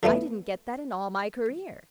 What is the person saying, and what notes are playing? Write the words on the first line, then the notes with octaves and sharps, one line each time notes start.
"I didn't get that in all my career."
D3 F3 A3 B3